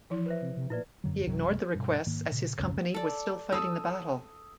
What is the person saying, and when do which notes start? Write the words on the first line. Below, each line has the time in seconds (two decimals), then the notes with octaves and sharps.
He ignored the requests as his company was still fighting the battle.
0.10 E3 F3 E4
0.26 B4 C5 E5
0.42 C3
0.57 C3
0.70 A#2 E4 B4 D5
1.04 F1 F#2 D3 F#3
1.26 B1 F#2 C3 F#3
1.75 G2 B2
2.07 G#2 D#3 A#3
2.32 A#2 C#3
2.58 B1 F2 G#2 C#3
2.94 A4 D5
3.52 A4 D#6 E6